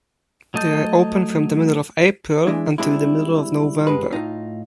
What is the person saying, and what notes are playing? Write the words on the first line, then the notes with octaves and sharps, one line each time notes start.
They are open from the middle of April until the middle of November.
F#3 A3 D#5 A5 G6
E3 G#3 D4 E4
C3 G3 G#3 D4 E4
G2 G#3 B4
A2 D#4 F4